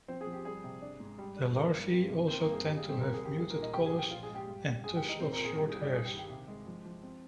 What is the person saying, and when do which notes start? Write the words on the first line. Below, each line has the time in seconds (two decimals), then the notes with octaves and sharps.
The larvae also tend to have muted colors and tufts of short hairs.
0.08 F3 C4 C5
0.21 G#4
0.27 F3
0.33 G4
0.45 G3 G#4
0.64 C3
0.82 D4
1.00 G#2
1.18 G3
1.36 D4
1.54 D#3 A#3 A#4
1.74 G2
1.91 C4
2.10 C3
2.27 A#3 C4 C5
2.40 A#3 A#4
2.46 G2
2.53 G#4
2.65 G3 G4
2.76 G#4
2.83 G3
2.89 C4 C5
3.01 D#2 A#3 A#4
3.13 G#4
3.19 D#2
3.25 G4
3.37 C2 G#4
3.50 A#3 A#4
3.56 A#2
3.62 D#4 D#5
3.74 C3 G4 G5
3.86 G#4 G#5
3.93 F3
3.98 G4 G5
4.11 A#2 F4 F5
4.23 G#4 G#5
4.29 G#3
4.35 G4 G5
4.48 G2
4.66 G2
4.84 G#3 G#4 G#5
4.96 G4 G5
5.03 D#3
5.09 D#4 D#5
5.20 A#2 C4 C5
5.32 A#3 A#4
5.39 A#2
5.45 G#4
5.57 C2 G4
5.69 G#4
5.75 C2
5.81 D4 D5
5.93 G2 G#4
6.05 G4
6.13 D#3
6.19 G4
6.30 C3
6.48 G#3
6.67 F3
6.86 F3
7.03 C4